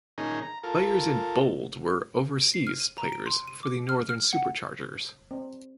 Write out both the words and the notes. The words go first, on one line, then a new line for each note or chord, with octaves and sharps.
Players in Bold were overseas players for the Northern Superchargers.
A#2 D#3 C#4 D#4 G#4 A#5
A#5
F4 A4 A#4
D7
C7
F6
D#7
A#5
D7
C6
D#7
D6
F6
F6
F#5
C4